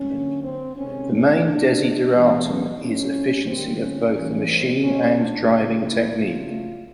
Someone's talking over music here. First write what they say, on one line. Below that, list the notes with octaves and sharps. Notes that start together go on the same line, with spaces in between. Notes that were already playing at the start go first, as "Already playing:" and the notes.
The main desideratum is efficiency of both the machine and driving technique.
Already playing: C#4
D3 F#3 A#3
C4
C3 D#3 G#3 C4 C#4
C#4
B2 G#3 B3 D4
E3 G#3 B3
A#2 F#3 A3 C4 C#4
D3 G3 A#3 C4
C#4
E3 G3 A#3
C4
B2 G#3 C4 C#4
D4
C#3 F3 A#3
E4
C#3 F#3 A3 F4